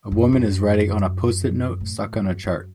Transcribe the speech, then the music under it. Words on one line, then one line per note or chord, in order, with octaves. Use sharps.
A woman is writing on a postit note stuck on a chart.
F#2
F#2
A2
F#2
F#2